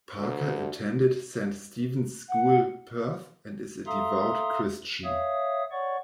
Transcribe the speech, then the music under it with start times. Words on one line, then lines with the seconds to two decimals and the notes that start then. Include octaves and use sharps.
Parker attended Saint Stephen's School, Perth and is a devout Christian.
0.18 D2
2.30 F#5
3.87 A4 E5 F5 A#5 C6 D#6
5.04 C#5 E5 F5 D#6
5.71 C#5 D5 F#5 C#6